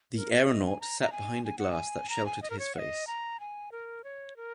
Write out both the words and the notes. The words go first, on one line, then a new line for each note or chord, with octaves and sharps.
The aeronaut sat behind a glass that sheltered his face.
A#4
D#5
D#5
G#5
A#5
A#5
G#5
G#5
F#5
G#5
A#5
G#5
D#5
A#4
C#5
F#5
D#5
A#5
G#5
A#4
C#5
A#4